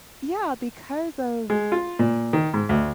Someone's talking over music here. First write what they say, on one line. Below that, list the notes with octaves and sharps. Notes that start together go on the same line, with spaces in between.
Yeah, because of
G#3
F4
A#2
D#3
G#2
D2